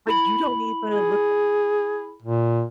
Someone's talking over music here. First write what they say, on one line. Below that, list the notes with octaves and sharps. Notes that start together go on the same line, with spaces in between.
But you don't even look at
E4 B5 F#7
G#4
A#2